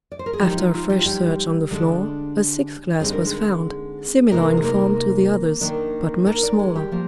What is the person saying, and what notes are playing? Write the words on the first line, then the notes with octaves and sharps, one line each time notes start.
After a fresh search on the floor, a sixth glass was found, similar in form to the others, but much smaller.
D5
C5
A#4
G#4
F3 G3 G#3 D#4 G4
F4
F4
G3 G4
F4
G3 G4
D3 G#3 D4
D3 G3 C4 D#4 G#4
A#4
G#3 G#4
C3 F3 G#3 A#3 D#4 A#4
G#4
A#3 A#4
D#3 A#3 D4
A#3 A#4
D4 D5
G#3 G#4
G3 G4
F3 A#3